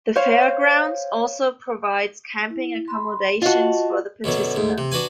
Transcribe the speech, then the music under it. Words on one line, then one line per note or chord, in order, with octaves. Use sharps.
The fairgrounds also provides camping accommodations for the participants.
C5 C#5 F5
E4
B5 C6
F4 F#4 D#5 A5
F#2 B2 D3 F#3
D2 G#2
C3
D4 F#4 B4 G#5